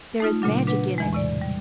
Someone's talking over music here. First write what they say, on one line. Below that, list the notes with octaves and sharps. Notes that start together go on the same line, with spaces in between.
There is magic in it.
A3 D#4 F4
A#2 C#3 F#3 D4
D4 B4 F#5
E2 E3 G#3
A2 C3 D5
G3